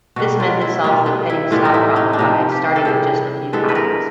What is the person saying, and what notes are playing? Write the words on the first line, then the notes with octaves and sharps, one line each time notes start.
This method solves the cutting-stock problem by starting with just a few patterns.
B2 G3 A#3 F#4
F4
E4
B2 G3 A#3 F4
B3
E4
A2 E3 G3 B3 F4
D#4
E4
D#4
D4
C3 F3 A#3 D#4
G4
A4
C3 E3 G3 G#4
G2 E3 G#3 B3 A4
B4
A#4